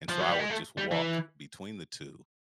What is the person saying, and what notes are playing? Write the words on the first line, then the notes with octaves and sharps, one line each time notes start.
and so I would just walk between the two,
F3
F#3
G3
G#3
A3
G3
E3